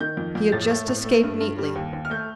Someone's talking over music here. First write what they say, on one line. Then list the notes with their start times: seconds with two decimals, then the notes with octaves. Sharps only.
He had just escaped neatly.
0.01 D#3 G6
0.17 F2
0.35 F2
0.52 A2 A6
0.70 A3
0.88 A2
1.05 A3
1.23 G2
1.41 G2
1.58 G3
1.75 D#2
1.93 D#2
2.05 F6
2.10 A3 G6